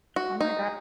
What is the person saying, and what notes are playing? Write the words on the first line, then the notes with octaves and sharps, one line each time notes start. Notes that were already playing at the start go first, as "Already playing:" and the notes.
Oh my go
F#4
D#4